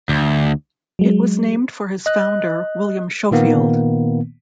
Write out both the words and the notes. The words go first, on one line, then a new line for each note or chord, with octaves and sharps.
It was named for its founder, William Schofield.
D2
F#3 G#3
D#5 F#6
A#2 D#3 A#3 B3